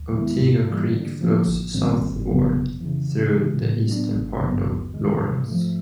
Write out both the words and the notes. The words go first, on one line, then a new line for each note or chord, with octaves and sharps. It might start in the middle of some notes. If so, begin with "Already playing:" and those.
Otego Creek flows southward through the eastern part of Laurens.
Already playing: D#2
D#3 G#3 B3 E4
G#2
E3 G3 A#3
D3
F3 A#3
A1
G#2 D#3 G3 C4
G1
F2 C#3 F#3 B3
F2
C#3 E3
C#3
E3 G#3
A2
F#3 B3 D4
G#1
G2 D3 F#3 B3
D#2
D#3 G#3
G#2
F3 A3